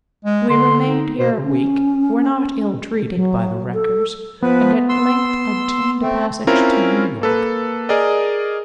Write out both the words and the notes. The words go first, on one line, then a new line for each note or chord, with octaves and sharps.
We remained here a week, were not ill-treated by the wreckers, and at length obtained a passage to New York.
G#3
D3 C6
D#4
B2 C5
C#4
F#3
A4
F3 B3 B4
C6 E6
A3 C4
C4 C#4 E4 F4 A#4
A#3 A4 B4
G#4 A#4 D5 D#5